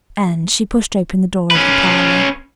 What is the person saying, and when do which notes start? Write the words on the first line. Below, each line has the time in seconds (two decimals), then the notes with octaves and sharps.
And she pushed open the door of the parlour.
1.51 C#4 B4